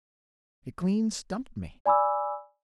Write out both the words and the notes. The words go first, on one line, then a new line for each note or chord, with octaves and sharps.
It clean stumped me.
D5 G#5 B5 D6 E6